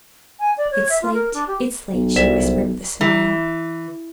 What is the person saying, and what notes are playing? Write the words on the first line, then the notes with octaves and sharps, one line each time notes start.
"It's late, it's late," she whispered with a smile.
G#5
D5
C#5
E5
F4
A#4
D4
G4
B1
C2 E5
E3